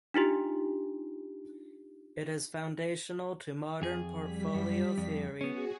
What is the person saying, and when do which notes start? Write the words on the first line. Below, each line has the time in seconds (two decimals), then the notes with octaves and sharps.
It is foundational to Modern portfolio theory.
0.14 D4 D#4 F4 G4
3.82 F2 G#4
4.18 G3 B6
4.54 F#2
4.98 F2
5.41 B3 C#4 F#4 G#4